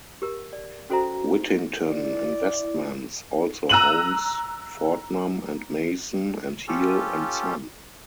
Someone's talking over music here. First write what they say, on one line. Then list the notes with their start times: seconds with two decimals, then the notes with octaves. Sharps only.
Wittington Investments also owns Fortnum and Mason and Heal and Son.
0.22 G4 A#4
0.53 D5
0.90 C#4 F#4 A4 C5 E5 A#5
1.86 E4 D5
3.69 A#5 E6 F#6 D#7 E7 F#7
6.68 C#4 F4 G4 A4